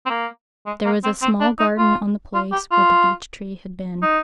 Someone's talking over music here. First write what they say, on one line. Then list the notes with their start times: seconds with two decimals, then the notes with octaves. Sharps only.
There was a small garden on the place where the beech-tree had been.
0.06 C4
0.10 A#3
0.66 G#3
0.85 A#3
1.04 C4
1.22 C4
1.40 D4
1.59 D#4
1.78 F4
2.34 F4
2.52 G4
2.72 F4
4.02 D#4